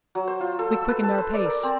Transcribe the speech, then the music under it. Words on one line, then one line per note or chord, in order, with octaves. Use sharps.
We quickened our pace.
F#3
C5
F4
A4
E6
B4
A5
C5
D5
A#4
C4